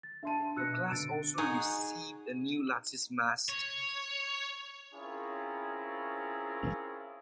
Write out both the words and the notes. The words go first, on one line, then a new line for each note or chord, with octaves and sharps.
The class also received a new lattice mast.
A6
D4 E5 A5 C6 D#7
B2 E6 F#6 A#6 C#7
D3 A6 D7
D#4 F#4 G#4 F#5
C#5
C4 C#4 E4 F4 G#4 A#4